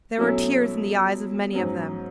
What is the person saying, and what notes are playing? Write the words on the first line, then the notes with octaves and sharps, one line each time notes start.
There were tears in the eyes of many of them.
B2 F#3 A3 C#4 E4
G#2 F#3 C#4